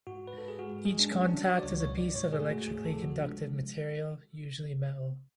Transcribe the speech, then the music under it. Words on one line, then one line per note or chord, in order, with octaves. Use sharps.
Each contact is a piece of electrically conductive material, usually metal.
G#2 F#4
B4
G#2 A4
G#4
G#3 F#4
G#3 G#4
D4
F#3 C#4
D4
F#3
F#4
D5
C#2 C#5
C#5
B2
D5
G#2 C#5
G#4
A3
F#4
D2 G#4
A4
F3
F#4
G#3 D4